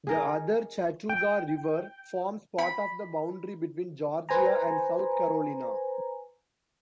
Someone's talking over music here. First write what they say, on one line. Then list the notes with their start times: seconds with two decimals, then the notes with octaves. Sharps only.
The other Chattooga River forms part of the boundary between Georgia and South Carolina.
0.07 G#4 A#4 D#5
1.09 G5
2.58 B5
4.29 B4 C5 G#5 A#5